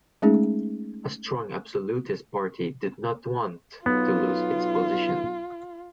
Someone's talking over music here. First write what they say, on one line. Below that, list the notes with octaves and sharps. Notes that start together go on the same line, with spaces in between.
A strong absolutist party did not want to lose its position.
G#3 A3 C#4 D#4 G#4
B1 B3 F4